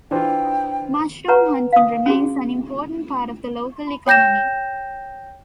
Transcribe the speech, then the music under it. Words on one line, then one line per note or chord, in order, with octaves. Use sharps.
Mushroom hunting remains an important part of the local economy.
E3 D4 F4 C5 G5
B4 C#5 F#5 A#5
F5 D#6
C#4 F#4 G#4
C#5 G5 G6 A#6 E7